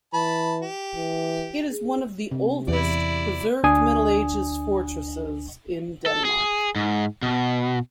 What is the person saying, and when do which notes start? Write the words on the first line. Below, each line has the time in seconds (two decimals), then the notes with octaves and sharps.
It is one of the oldest, preserved Middle Ages fortresses in Denmark.
0.14 E3 A5 B5
0.62 G4
0.96 E3
1.71 G#4
2.31 C3
2.68 E2 E4 D5
3.63 D2 D4 G#5 D#6
6.06 A4
6.25 G#4
6.76 G#2
7.23 B2